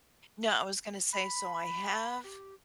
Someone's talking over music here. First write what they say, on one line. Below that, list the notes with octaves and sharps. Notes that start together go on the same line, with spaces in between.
No, I was gonna say, so I have
B5
G4